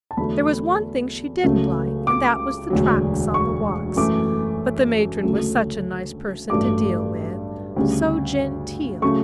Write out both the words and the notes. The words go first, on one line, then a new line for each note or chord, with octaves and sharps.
There was one thing she didn't like and that was the tracts on the walks; but the matron was such a nice person to deal with, so genteel.
A5
E2 D3 F#3 A3 B5
C#2 C#3 F#3 A3
D6
E1 D2 D3 F#3
C#6
F#2 E3 A3 D6
D2 C#3 F#3 A3
A1 G2 F#3 A3 D6
D2 C#3 G3
C#3 F#3 A3 C#6